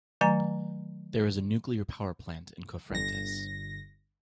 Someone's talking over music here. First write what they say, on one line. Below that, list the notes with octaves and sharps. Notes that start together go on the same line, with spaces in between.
There is a nuclear power plant in Cofrentes.
D#3 F#3 A3 G#5 A#5
G1 A#6